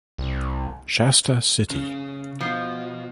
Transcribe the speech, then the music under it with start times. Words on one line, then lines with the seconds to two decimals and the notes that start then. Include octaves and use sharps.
Shasta City.
0.18 C2
1.70 C#3
2.41 B2 F3